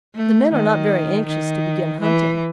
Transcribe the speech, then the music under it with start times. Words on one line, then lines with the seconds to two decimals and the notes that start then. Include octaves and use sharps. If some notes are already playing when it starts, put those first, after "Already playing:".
The men are not very anxious to begin hunting.
0.16 A3
0.52 D#3
1.27 D#3
2.01 E3